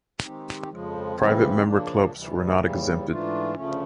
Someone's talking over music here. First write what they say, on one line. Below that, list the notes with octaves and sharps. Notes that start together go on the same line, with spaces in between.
Private member clubs were not exempted.
D#3 G#3 C4 D#4 G4
F2 C#3 F3 G#3
C#3 E3 G3 C4
C#3 F3 A#3 D4
D2 C3 E3 G3
D#2 C#3 E3 G3
G#2 E3 A3 D4 F4
D2 C#3 F3 A3 C#4